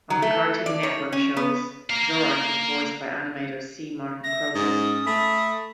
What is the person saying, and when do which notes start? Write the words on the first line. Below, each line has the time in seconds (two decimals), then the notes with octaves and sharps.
On the Cartoon Network shows, Zorak was voiced by animator C. Martin Croker.
0.10 F#3
0.22 A3
0.66 D5
0.83 C#5
1.13 C#4
1.37 B3
1.90 A#3 F5
4.24 E5 A#6
4.55 G#2 C#4 D#6
5.06 A3 B5